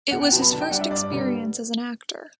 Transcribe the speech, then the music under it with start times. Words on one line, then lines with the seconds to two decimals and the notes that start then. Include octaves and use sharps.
It was his first experience as an actor.
0.11 E2 F#5
0.21 G5
0.31 B2 F#3 B3 A5
0.42 B5
0.51 D3 A5
0.61 G5
0.71 G3 D4 F#5
0.81 E5
0.91 G2 D5
1.11 D3 G3 B3